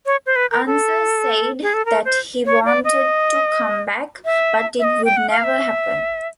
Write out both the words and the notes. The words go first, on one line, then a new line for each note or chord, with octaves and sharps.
Unser said that he wanted to come back, but it would never happen.
C#5
C5
B4
A#4
A4
G#4
A4
A#4
C5
C#5
D5
D#5
E5
E5
D#5
G5
F#5
F5
E5